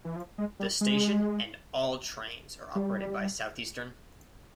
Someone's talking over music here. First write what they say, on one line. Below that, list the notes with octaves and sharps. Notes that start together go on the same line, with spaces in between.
The station and all trains are operated by Southeastern.
E3
F3
G#3
G3
G#3
G3